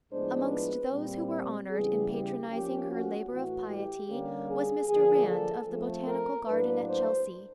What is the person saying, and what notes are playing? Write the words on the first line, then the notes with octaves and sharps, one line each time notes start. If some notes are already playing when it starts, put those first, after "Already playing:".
Amongst those who were honoured in patronising her labour of piety was Mr Rand of the Botanical Garden at Chelsea.
A2 F3 G#3 B3 D4 C5
B4
A#2 G3 C4
C#3 E3 G3 B3 G#4
G4
F3 A#3 C#4 G4
F#4
A2 E3 A3 F#4
G4
D3 G3 A#3 C#4
G#4
D3 F3 A#3 D4 G#4
A4
F3 A3 C4 A4
A#4
A2 F#3 A#3 D4 B4
C5